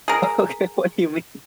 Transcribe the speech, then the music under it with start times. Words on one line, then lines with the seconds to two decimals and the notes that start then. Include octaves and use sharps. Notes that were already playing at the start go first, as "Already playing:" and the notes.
Okay, what do you mean?
0.08 G#4 A#4